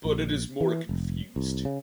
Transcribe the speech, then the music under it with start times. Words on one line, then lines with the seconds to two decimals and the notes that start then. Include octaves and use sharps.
But it is more confused.
0.05 A#1
0.61 E3
0.89 F1
1.36 C2
1.65 C#3